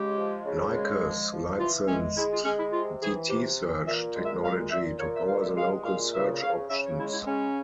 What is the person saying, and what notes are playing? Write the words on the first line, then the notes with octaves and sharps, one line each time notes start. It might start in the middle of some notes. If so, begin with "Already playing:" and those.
Lycos licensed dtSearch technology to power the local search options.
Already playing: C#3 G#3 G4
F3
C#3
G#3
F3
F3
E3 F4
G#3 C#4
G#3 E4
F4
G#3 C#4
E4
C3 F4
E3 G#4
C3 G4
E3
A#2 E5
G#3
E5
A#2 F5
A#2 E5
A#2 C#5
E5
G#3 F5
E5
G#3 F5
A#2 F5
C#3 E5
C#3 F5
C#3 E5
C#5
G#3 E4
E4
C#3 C#4